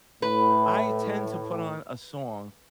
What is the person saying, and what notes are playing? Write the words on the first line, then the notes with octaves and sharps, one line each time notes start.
I tend to put on a song
A2 B4